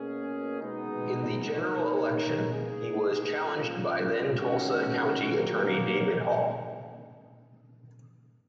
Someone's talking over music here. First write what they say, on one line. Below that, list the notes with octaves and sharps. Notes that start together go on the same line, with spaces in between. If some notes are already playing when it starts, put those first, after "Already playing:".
In the general election, he was challenged by then-Tulsa County Attorney David Hall.
Already playing: B2 A#3 C#4 G#4
B2 G#3 B3 D#4
A#3 D#4 A#4 C#5
A#3 D#4 G#4 B4
A#2 F3 G#3 C#4 F4
D#3 G#3 C#4 F#4
D#3 F#3 A#3